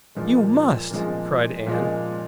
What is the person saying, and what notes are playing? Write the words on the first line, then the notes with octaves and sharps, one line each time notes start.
"You must!" cried Ann.
A#2 F3 G#3
A#2 F3 G#3
A#2 F3 G#3